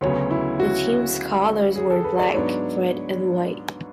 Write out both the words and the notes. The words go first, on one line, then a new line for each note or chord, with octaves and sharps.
The team's colors were black, red and white.
D2 C#3 F#3 B3 C#5
E4
F#4
G#4
A4
B4
D5
G#2 F#3 B3 D4 C#5